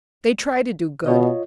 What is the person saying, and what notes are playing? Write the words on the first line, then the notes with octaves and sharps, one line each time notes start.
They try to do good.
B2 F4 C#5 D#5